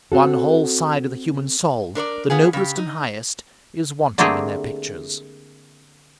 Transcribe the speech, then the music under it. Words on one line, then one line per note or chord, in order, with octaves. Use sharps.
One whole side of the human soul, the noblest and highest, is wanting in their pictures.
C4 F#4 A4
D4 A#4 C#5 D5
B3 F4 G#4
C#3 G4
D#4
D3 A3 A#3 C4 G4 G#4